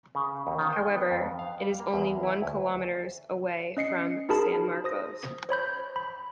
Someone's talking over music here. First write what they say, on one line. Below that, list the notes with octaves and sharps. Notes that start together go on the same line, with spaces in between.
However, it is only one kilometers away from San Marcos.
C#3
D#2
D#3
G5
B3
F2
F5
G3
A#3
E2
E4
D2
C#4 D#5 C7 C#7
D#4 F#4 G#4 A#4 A5 B5
C5 D#6 A#6
C5 C#5 B5 G6
B5